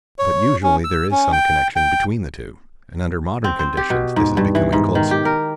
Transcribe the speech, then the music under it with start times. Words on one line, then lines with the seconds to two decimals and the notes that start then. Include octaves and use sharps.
But usually there is some connection between the two, and under modern conditions this is becoming closer.
0.19 C#5
0.63 C#4
0.84 E6
1.11 C#4
1.32 G5
1.76 G5
3.44 C4
3.59 C5
3.77 G4
3.90 B2
4.16 G#2
4.37 G2
4.55 E3
4.73 G#2
4.95 D#3
5.11 G4
5.25 A#4